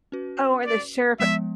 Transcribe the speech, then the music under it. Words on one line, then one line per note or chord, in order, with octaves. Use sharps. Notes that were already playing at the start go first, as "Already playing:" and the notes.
Oh, and the Sheriff
C#4 F#4 B4
D5
F3 G#3 B3 E5